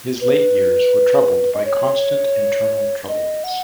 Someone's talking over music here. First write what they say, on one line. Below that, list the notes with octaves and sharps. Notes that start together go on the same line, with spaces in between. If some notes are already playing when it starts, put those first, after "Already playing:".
His late years were troubled by constant internal troubles.
B4
D#5
C#5
D#5
F#5